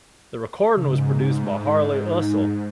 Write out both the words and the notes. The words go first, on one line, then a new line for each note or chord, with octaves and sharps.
The recording was produced by Harley Usill.
G#2 C#3
D#4